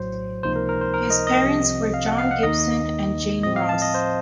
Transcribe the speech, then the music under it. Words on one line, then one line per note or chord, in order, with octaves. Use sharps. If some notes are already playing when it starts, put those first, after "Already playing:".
His parents were John Gibson and Jane Ross.
Already playing: A#1 A2 F#3 C5
C#2 C3 F3 A#3 D#4 C5
A#4
A#4
C5
A#4
D#5
D#5
C2 C3 F3 C4
F5
F#5
F5
F#5
D#2 D#3 A#3 D#4 D#5
A2 F3 C4 D#5
F5
A5
D#5
C5